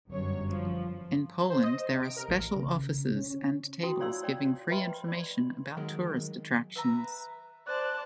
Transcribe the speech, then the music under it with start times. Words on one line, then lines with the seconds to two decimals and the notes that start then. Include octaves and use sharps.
In Poland there are special offices and tables giving free information about tourist attractions.
0.10 G1 F#2 C#5
0.49 F3
1.50 C5
1.63 D#5
1.89 C3
2.03 D7
2.17 A#4
2.28 A1
2.56 C#3
3.15 C#4
3.83 E4 F#4 G5 C6 D#6
4.00 F4 C#5 D5 F5 C6 E6
4.23 C#5 D5 G5
4.69 B4 D#5 E5 G5 B5 C6
5.08 D5 C6
5.77 D#3 F#3 G#3 G#4 A#4
6.75 B4 E5 A#5
7.67 C5 D5 A5 F#6